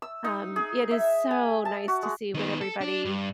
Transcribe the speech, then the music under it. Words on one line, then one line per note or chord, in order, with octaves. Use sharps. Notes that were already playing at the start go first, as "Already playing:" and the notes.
um, it is so nice to see when everybody,
E6
D#4
G#4
E5
G#5
A5
F#4
G#3
D#3 B3
A4
D4
G2